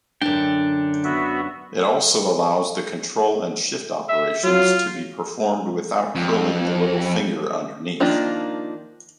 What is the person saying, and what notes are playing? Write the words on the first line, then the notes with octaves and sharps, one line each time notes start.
It also allows control-and-shift operations to be performed without curling the little finger underneath.
F#2 D3 D4 G5
B3 F#4 E5
E5
F#3 F4
F2
D#3 F3 A#3 D4 F4